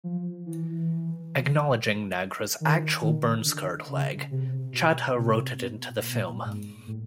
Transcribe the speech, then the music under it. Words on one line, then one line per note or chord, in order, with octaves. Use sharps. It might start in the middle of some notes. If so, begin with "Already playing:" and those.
Acknowledging Nagra's actual burn-scarred leg, Chadha wrote it into the film.
F3
E3
D#3
D#3
D3
C#3
C3
B2
C3
B2
A#2
B2
A#2
G#2
A2